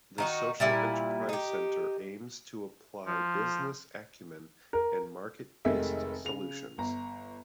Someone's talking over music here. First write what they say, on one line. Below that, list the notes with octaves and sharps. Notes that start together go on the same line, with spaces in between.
The Social Enterprise Center aims to apply business acumen and market-based solutions.
D#3 D#4 F#4
A#2 G3 E4 G#5
D#4 G4
F3
A#4
F1 C3 D#3 G#3 A4 E5
C#3 F7
G1 A#5